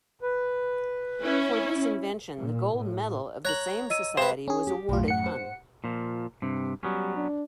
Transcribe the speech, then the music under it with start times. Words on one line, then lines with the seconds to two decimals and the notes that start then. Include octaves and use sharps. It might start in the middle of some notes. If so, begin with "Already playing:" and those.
For this invention the gold medal of the same society was awarded hun.
0.22 B4
1.22 C#4 E4
2.37 A#2
2.75 A2
3.45 C#5 A#5 F#6 F#7
3.90 D#5 E6 D#7
4.17 G#4 B4 C5 F5 E7
4.48 C#4 G#4
4.67 G4
4.89 B1 F#2 A2 F4
5.08 F#5 C#7
5.26 C5
5.84 A#2 F3
6.42 G2 C3
6.83 F#3 G3 B3 C#4
7.16 D4